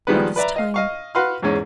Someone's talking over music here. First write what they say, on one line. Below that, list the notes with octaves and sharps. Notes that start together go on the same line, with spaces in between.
Not this time.
D#3 F3 G3 G#3 B3 B4
B4 D5 E5 A#5
D#5 F5
D#5 F5 C#6
F#4 B4 F5 F#5 C6 F6
E2 G#2 G#3 C#4